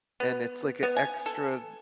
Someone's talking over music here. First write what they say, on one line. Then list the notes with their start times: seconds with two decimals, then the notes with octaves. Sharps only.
and it's like a extra-
0.20 B3
0.83 B3
0.97 G#5
1.26 A4